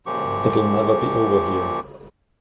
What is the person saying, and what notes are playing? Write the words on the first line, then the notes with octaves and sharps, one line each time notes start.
It'll never be over here.
F#2 A#2 F3 G4 C#6